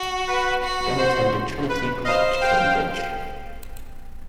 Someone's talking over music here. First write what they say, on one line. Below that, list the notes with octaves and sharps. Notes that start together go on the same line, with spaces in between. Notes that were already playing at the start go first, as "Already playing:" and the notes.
He then attended Trinity College, Cambridge.
Already playing: F#4
B4
F#4
C5
B4
C5 D#5 F5
F5 G5